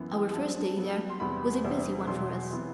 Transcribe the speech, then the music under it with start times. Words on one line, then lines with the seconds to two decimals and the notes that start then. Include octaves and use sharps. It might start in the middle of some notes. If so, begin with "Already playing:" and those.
Our first day there was a busy one for us.
Already playing: F#2 E3 B3
0.12 G5
0.33 G2 F#3 C4 A5
0.76 G2 F#3 B3
1.09 C6
1.20 E2 C3 G3 B3 B5
1.64 E2 C3 G3 C4
2.07 E2 B2 F#3 C6
2.51 C3 E3 B3